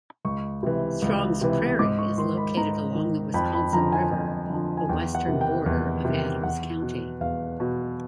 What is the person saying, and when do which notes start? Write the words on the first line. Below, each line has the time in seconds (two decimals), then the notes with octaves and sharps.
Strongs Prairie is located along the Wisconsin River, the western border of Adams County.
0.25 C#2 C#6
0.63 C3 E3
1.02 C#2
1.41 C3 E3
1.79 G#2 D6
1.99 C#6
2.18 D#3 C6
2.37 B5
2.57 G#2 A#5
2.95 D#3
3.34 F2 B5
3.53 B5
3.73 D3 F3 A#5
3.92 G#5
4.11 F2
4.50 D3 F3
4.77 G#5
4.89 E2 G5
5.15 F#5
5.28 C3 D#3
5.41 G5
5.66 E2
6.05 C3 D#3
6.43 E2 F#5
6.82 B2
7.21 E2 F5
7.60 B2